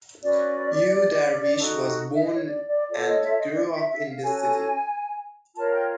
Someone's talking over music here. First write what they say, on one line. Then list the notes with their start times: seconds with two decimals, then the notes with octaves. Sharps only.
Yu Darvish was born and grew up in this city.
0.22 C#4 F#4 B4 D5
1.56 D#4 F#4 A4
2.14 E5
2.21 D#5
2.34 C#5
2.45 D5
2.67 D5
2.88 F4 A4 C#5 D5
3.05 D#5
3.21 E5
3.39 D#5
3.55 D5
3.72 E5
3.88 E5
4.06 F5
4.22 C#4 F#4 A4 C#5 G#5
5.55 F4 A#4 C#5 A5
5.72 G5